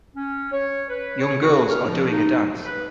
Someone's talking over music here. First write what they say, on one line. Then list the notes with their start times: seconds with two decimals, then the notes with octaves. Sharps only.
Young girls are doing a dance.
0.16 C#4
0.52 C#5
0.89 B4
1.20 C#5
1.42 F#4
1.69 F6
1.86 F3
2.10 D#4
2.64 B4